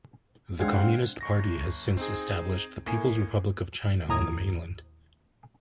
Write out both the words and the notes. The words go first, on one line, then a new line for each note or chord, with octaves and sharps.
The Communist Party has since established the People's Republic of China on the mainland.
G#3 C4 D4 F5 F#5 G#6
G1 C#6 A#6
C4 D#4 G#4
A2 A#3 G#5
D#2 A2 A#5 D#6 G#6